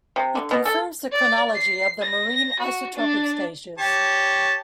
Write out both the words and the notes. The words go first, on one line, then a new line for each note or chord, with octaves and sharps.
It confirms the chronology of the marine isotopic stages.
C3
D3
B2
A4
D5
C7
A#6
F#4
D4
G4 C#5 A5